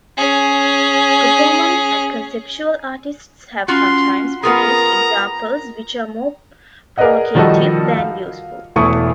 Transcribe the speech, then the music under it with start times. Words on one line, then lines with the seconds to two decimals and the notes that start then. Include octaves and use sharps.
Performance and conceptual artists have sometimes produced examples which are more provocative than useful.
0.17 C#4 G#4
3.68 C#4 F4 F#4 C6
4.43 B3 F4 G#4 A#4 A#5
6.98 G#4 A#4 B4 D5 D#5 F#5
7.35 D#3 F3 G3 F#4 A4 D#5
7.98 F5
8.76 E1 E2 A3 E4 C#6 D#6